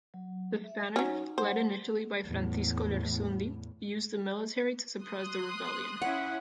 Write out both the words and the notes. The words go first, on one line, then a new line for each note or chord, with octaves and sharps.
The Spanish, led initially by Francisco Lersundi, used the military to suppress the rebellion.
F#3
E5
F#3 C#4 D#4
G3 C5 F#5
E2 A2
C6 D#6 F#6
C#4 E4 F#5